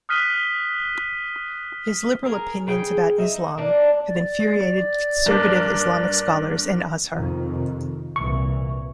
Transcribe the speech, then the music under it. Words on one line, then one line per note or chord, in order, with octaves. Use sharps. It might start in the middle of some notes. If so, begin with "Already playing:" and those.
His liberal opinions about Islam have infuriated conservative Islamic scholars and Azhar.
D#6 F6 F#6 B6 D#7 G7
G#4 A#4
C#3 G#4 G5
D#4 E4
A#3 D4
D5
G2 A#3 D4
F2 C3 D#3
C2 A#2 E3 C#6